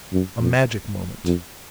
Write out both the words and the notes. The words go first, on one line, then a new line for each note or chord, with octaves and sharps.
A magic moment.
F#2
F2
F2